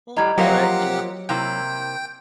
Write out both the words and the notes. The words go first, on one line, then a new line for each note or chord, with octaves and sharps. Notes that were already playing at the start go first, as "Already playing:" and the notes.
Well, alright. You know?
A2 G3 D#5 A#5 G#6
F3 F#3 A#3 C4 G4 F#5
C3 A#3 E4 G5